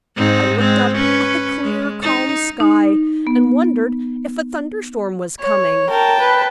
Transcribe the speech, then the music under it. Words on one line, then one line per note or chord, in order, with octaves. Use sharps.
I looked up at the clear, calm sky, and wondered if a thunderstorm was coming.
G#2 C4 D#4
G#3 C4
C#4 B4
G#3
D#4
D#4
B3
C#5
A#4 G5 A5
B4